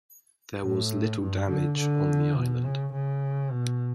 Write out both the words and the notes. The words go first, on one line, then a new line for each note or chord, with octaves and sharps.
There was little damage on the island.
A2
G2
D3
D3
B2
C#3
C#3
B2